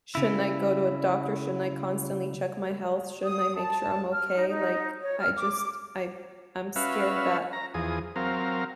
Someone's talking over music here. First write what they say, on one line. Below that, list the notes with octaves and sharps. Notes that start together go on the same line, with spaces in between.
shouldn't I go to a doctor? Shouldn't I constantly check my health? Shouldn't I make sure I'm okay? Like, I just, I I'm scared that
C#3 E4
D#6
A5
F6
D#4
D#4
C#5
F6
D6
C#4 F#4 B4 E5 F5
A#5
E2 F3 G#4 D#6
F#3 C4 A#4 F5